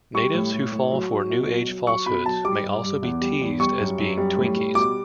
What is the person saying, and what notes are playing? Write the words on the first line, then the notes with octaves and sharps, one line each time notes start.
Natives who fall for New Age falsehoods may also be teased as being twinkies.
G3 C#6
A2
A2
A2
F#3
F#3
B2
F#3
F#3
F#3 C#6
B2 B5
F#3 A5
G3 D6
G2
G2
E2
G3
E2
G3 C#6
F#2
F#2
G3
A2
G3
B2 D6